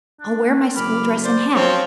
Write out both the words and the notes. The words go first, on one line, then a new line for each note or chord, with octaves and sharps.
I'll wear my school dress and hat.
D4
F#1 B5 D6 F6
C5 D5
F#2 F3 C4 F4 C#5 F5